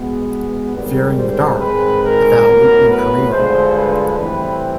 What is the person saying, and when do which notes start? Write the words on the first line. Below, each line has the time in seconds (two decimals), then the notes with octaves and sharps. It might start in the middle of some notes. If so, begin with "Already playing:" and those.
"Fearing the Dark: The Val Lewton Career".
Already playing: B2 G#3 B3
0.73 G#2 D#3 G3 C4
1.17 C5
1.59 G#2 D#3 G#3 C4 B4
2.03 A#4
2.46 A2 F#3 B3
2.90 B4
3.31 G2 D3 F3 G#3 C5
3.76 B4
4.18 A2 E3 G3 C4 B4